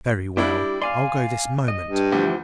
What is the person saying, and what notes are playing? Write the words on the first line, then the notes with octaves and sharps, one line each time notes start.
Very well, I'll go this moment.
G3 D4 E4 G4
D5 F5 G#5 C6
D#5
G2
D2 E3 F3 G4